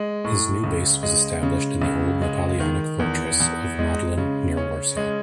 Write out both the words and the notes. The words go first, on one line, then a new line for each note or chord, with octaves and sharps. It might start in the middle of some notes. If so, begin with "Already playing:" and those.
His new base was established in the old Napoleonic fortress of Modlin, near Warsaw.
Already playing: G#3
A2
C#2
G#3
C#3
C#2
G#3
D#3
E2
E2
G#3
C#3
C#4
G#3